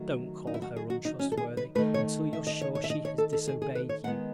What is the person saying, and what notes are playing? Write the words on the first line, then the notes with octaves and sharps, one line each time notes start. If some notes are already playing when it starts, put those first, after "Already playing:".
Don't call her untrustworthy until you're sure she has disobeyed you.
Already playing: D#3 F#3 A3
D#4
E4
F#4
G#4
F#4
D#4
C#4
A4
G#4
B4
D#3 A3 B4
C#5
E5
D#5
C#5
C#5
E5
D#5
C#5
A4
A4
G#4
G#4
B4
C#5
D#3 G#3 B3 F#5